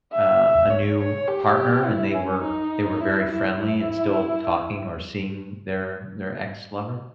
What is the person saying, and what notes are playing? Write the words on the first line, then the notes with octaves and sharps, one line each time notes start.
uh, a new partner and they were they were very friendly and still talking or seeing their their ex-lover?
E5
C#5
C#5
G4
E4
C#4
D#4
E4
E4
E4